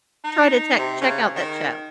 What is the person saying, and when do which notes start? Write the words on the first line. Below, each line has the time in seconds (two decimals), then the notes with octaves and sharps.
try to che check out that show.
0.24 D#4
0.78 C3
1.01 C#3
1.36 D#3